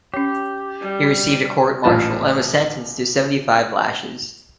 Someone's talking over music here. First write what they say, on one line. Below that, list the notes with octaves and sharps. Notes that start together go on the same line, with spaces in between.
He received a court-martial, and was sentenced to seventy-five lashes.
C#4 G4 C#5
G3
A1 A#2 F3 B4 A5